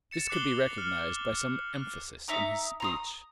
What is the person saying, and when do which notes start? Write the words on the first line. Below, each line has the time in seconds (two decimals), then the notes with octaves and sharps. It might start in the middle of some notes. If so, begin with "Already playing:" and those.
This could be recognized by some emphasis in his speech.
0.11 A6 C#7 E7
0.29 D6 F#6 C7 F#7 G7
0.78 F6 F#7
1.73 F6
2.28 D#4 E5 A#5 D6
2.80 A#5 C6 D#6